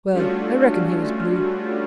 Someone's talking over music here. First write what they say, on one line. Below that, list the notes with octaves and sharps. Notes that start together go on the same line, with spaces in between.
Well, I reckon he was blue.
G3 A3 C#4 D4 F4 F#4